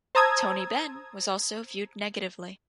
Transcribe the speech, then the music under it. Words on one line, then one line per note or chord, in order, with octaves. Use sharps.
Tony Benn was also viewed negatively.
C5 A5 A#5 D#6 E6 G#6